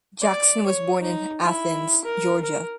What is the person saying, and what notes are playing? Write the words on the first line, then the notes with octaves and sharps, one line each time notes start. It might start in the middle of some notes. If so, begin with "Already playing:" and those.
Jackson was born in Athens, Georgia.
D5
C#5
D#4
E4
A#4
A#4